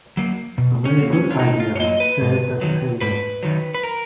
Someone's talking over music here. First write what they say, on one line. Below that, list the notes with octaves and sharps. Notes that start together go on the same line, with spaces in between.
"A very good idea," said the stranger.
F#3 A#3
B2
C#4
F#3 A#3
C#4
F4
B2 D#4
F4
C#5
F#3 A#3 D#5
B4
G#2
D#3 F#3
G#2 B4
D#3 F#3
B4
A#4